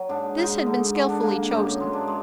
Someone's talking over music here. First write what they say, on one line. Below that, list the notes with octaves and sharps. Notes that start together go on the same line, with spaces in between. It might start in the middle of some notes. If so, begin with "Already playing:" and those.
This had been skillfully chosen.
Already playing: F#3
G#2 D4
G#2 D#4
D3
D3
D4
A#3
F#2 D#4
G#3
D4
G#3